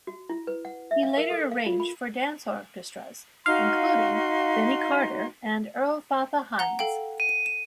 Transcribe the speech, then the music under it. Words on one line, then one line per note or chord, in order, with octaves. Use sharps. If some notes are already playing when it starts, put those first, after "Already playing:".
He later arranged for dance orchestras, including Benny Carter and Earl "Fatha" Hines.
F#4
E4
B4
F#5
E5
F5
A#4
A4
F5
F4
B5
D#4 F#4 F5 C6
F#5 A#5 G7
A4 F5 G5
D#7
E7